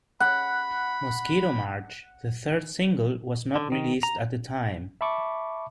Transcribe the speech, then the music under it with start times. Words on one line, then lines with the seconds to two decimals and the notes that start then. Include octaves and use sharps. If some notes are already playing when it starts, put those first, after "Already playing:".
"Mosquito March," the third single, was not released at the time.
0.20 F#5 B5
3.56 D3
3.72 D#3
4.03 A#5
5.01 E5 A5 B5 C#6 D6